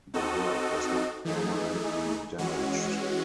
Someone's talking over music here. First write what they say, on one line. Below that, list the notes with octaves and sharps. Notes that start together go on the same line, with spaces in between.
The work was not permanently damaged.
C4 D#4 F#4 A4 D#5
E3 A3 D#4 G#4
E3 G#3 C#4 F#4